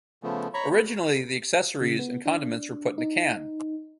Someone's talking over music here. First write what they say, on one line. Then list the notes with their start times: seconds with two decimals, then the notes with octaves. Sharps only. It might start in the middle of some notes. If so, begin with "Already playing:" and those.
Originally, the accessories and condiments were put in a can.
0.23 C#3 F3 A3 B3
0.54 C#5 A#5 B5 C#6
0.70 B3
1.81 C#3
1.99 B3
2.25 D4
2.98 D#4